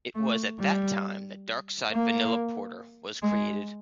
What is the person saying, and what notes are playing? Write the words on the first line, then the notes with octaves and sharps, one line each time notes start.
It was at that time that Dark Side Vanilla Porter was created.
A3
G3
A#3
G#3